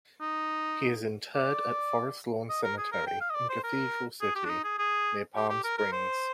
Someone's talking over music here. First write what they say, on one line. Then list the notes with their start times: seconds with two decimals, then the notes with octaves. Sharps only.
He is interred at Forest Lawn Cemetery in Cathedral City, near Palm Springs.
0.21 D#4
1.35 D5
2.49 D#5
2.64 A#4
2.78 G#4
2.92 A#4
3.07 G5
3.21 F5
3.30 D#5
3.35 D5
3.50 C5
3.64 A#4
4.21 G#4
4.35 G4
4.45 D4
4.49 D#4
4.64 G#4
4.78 G#4
5.36 G4
5.50 G4
5.64 A#4
5.78 A#4
5.92 C5